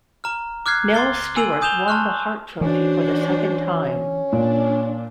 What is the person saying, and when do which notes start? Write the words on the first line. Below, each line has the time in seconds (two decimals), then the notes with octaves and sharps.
Nels Stewart won the Hart Trophy for the second time.
0.24 A#5 F6
0.66 D6 F6 F#6 G#6 C7
0.94 C6 D6 A6 C7 G7
1.36 G#5 E6 D#7 F#7
1.61 G#5 D#6 G6 E7 F7 G7
1.88 A5 C6 C#6 F6 F#6
2.61 E3 C#4 D4 F#4 C5
4.33 A#2 D4